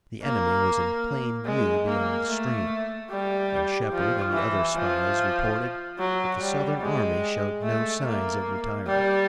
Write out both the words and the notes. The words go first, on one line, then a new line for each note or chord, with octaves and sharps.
The enemy was in plain view beyond the stream, and Shepard and the other spies reported that the Southern army showed no signs of retiring.
A#3
G#3
A#3
A3
G3
F3
E3
F3
F#3
G3
G#3
A3
A#3
G3